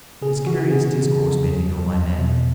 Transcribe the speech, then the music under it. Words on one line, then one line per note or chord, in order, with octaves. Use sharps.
This curious discourse made me know my man.
C#3 G#4
E3 F#4
C#3 G#4
C#3
E2
F#3
E2
E2
B2